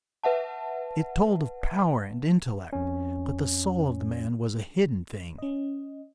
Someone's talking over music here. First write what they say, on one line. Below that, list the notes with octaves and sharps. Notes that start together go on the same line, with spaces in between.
It told of power and intellect, but the soul of the man was a hidden thing.
B4 E5 F#5 A5
F2 C#4
C#4 D#5